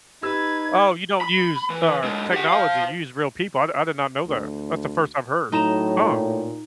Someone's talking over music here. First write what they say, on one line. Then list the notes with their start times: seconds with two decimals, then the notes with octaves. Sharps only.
Oh, you don't use, uh, technology, you use real people. I I did not know that. That's the first I've heard. Huh.
0.23 D#4 G4 B4 E6 G#6
1.21 B5
1.70 E3
2.04 D3 G#3
2.33 G4 F#5
2.49 C5 F5
4.27 D2
5.52 A2 F#3 D#4 A#5 E7
6.03 A#2